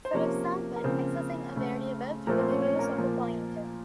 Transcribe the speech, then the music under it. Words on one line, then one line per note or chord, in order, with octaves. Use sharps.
For example, accessing a variable through the use of a pointer.
C5
C3 F3 A#3 C#4 C#5
A#4
C#3 F3 A#3 C4 C5
C#3 A3
A#2 F3 A3 A#3 A#4
C4 C5
C#4 C#5
C#4 C#5
A#3 A#4
A#2 F3 A#3